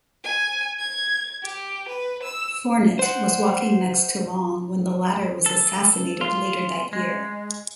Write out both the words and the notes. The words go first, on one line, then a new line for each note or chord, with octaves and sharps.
Fournet was walking next to Long when the latter was assassinated later that year.
G#5
G#6
G4
B4
E6
C5 F#5
A4
F4
G#3